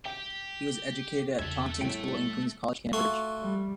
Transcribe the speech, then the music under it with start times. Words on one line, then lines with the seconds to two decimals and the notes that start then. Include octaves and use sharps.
He was educated at Taunton School, and Queens' College, Cambridge.
0.05 G4 G5
1.39 E2 C#3 A4 E5 G#6
1.81 A2 G3 A3 G5 D7
2.93 A3 F4 F#4 C#6
3.40 G3